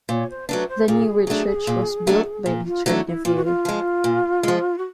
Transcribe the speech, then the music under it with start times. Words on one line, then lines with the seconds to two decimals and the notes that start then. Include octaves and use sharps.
The newer church was built by Richard Neville.
0.09 A#2 C#5
0.29 C5
0.48 F#3 A3 D4 B4
0.68 C5
0.88 A#2 G#4
1.27 F#3 A3 D4
1.67 A#2
2.07 F#3 A3 D4
2.46 A#2
2.66 F4
2.86 F#3 A3 D4 E4
3.06 E4
3.25 A#2 F4
3.35 F#4
3.44 F4
3.65 F3 G#3
4.04 A#2
4.43 F3 G#3
4.78 F#4